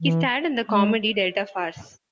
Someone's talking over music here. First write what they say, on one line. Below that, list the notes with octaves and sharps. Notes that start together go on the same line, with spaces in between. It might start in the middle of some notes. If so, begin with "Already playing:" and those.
He starred in the comedy "Delta Farce".
E3
G#3